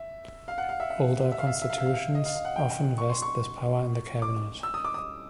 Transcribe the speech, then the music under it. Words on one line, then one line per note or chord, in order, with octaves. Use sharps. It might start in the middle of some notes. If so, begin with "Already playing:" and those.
Older constitutions often vest this power in the cabinet.
Already playing: E5
F5
F#5
F5
E5
E5
E5
F5
E5
F5
E5
F5
E5
F5
E5
D#5
F5
F5
F#5
G5
C#6
C6
C#6
D6
E6
D#6
D6
D#6